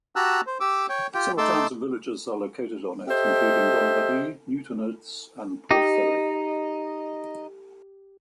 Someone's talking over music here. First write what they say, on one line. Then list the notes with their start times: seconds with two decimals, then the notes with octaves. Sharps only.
Several towns and villages are located on it, including Donaghadee, Newtownards and Portaferry.
0.16 F#4 G4 A5 A#5 E6 F#6
0.47 C5
0.60 G4 D6 E6
0.89 C#5 G5
1.14 F4 G4 G5
1.38 A3 D#4 A5 C6 D6 E6
3.08 G4 A4 C5 D#5 E5
5.71 D#4 G4 D#5